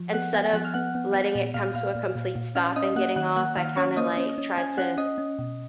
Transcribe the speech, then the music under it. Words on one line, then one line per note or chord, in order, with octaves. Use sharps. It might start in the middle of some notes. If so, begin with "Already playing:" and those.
instead of letting it come to a complete stop and getting off, I kinda, like, tried to
Already playing: F3
B3 F#5 F#6
B3 G#5 G#6
F3 F#6
F6
B3 F#5 F#6
B3
B3
A#2
A#2 F5 F6
A#2 F5 F6
A#2
A#2
A#2
C#4 F5 F6
C#4 D#5 D#6
A#3 F#5 F#6
D#3 F#5 F#6
A#3 F#5 F#6
D#3 F5 F6
C#4 C#5 C#6
A#3 D#5 D#6
C#4
C#4
C#4 G#5 G#6
C#4 F#5 F#6
C#4 D#5 D#6
C#4
B2